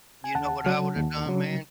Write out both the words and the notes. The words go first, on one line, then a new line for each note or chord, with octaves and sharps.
You know what I would have done, man?
G#5
D#2 F#5 A5
C#3 F#3
D#2
C#3 F#3